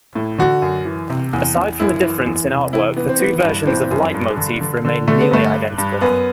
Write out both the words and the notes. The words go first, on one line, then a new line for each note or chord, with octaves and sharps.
Aside from the difference in artwork, the two versions of "Leitmotif" remain nearly identical.
A2
D3 F#4
F#2
E3
C3
E2
E2
F#2 E4
E3
E2
C3
E3 E4
E3 B3
C4
E3 B3
G2
E3 C4
F#2
G2
D3
D3
D3
D3 A3
B3
G2 A3
G2
G2
F#2 B3